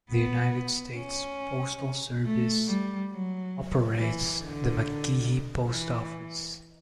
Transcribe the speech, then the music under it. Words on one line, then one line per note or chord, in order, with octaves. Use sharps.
The United States Postal Service operates the McGehee Post Office.
B3
C#4
A3
G3
F#3
E3
D3
E3